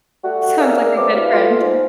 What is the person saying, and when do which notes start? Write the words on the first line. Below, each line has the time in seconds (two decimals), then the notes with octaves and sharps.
Sounds like a good friend.
0.24 G3 A3 F#4
0.58 G#4 A#4 D5 E5 F5
0.96 F#3 B3 C4 D4 D6
1.15 G2 B2 E4 F5
1.33 A3 B3 F4
1.61 G#2